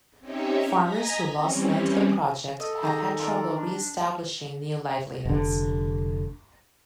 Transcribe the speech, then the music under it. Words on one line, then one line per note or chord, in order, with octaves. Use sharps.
Farmers who lost land to the project have had trouble re-establishing new livelihoods.
C4 C#4 D#4 G4 C#5 E5
D#5 G#5 A#5 A#6 B6
E3 G3 C4 C#4
A4 D#5
D#3 G4 G#4 A#5
F4 A#4 D5
D4
F1 D3